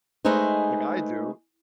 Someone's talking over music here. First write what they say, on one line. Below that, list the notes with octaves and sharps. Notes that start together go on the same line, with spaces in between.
Like I do.
G#3 A3 D#4 G#4 B4 C5